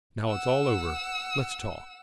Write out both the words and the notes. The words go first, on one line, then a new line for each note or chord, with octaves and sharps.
"Now it's all over, let's talk."
F#5 E6